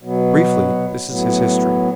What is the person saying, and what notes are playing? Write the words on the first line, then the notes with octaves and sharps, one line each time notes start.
Briefly, this is his history.
B2 F#3 B3
A2 F#3 B3